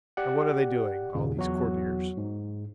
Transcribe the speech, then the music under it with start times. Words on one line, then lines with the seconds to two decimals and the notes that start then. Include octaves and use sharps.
And what are they doing, all these courtiers?
0.17 G4 D5 F#5
1.15 D#2 A#2 C#3
1.36 E2 F#3 F#4
2.17 G#2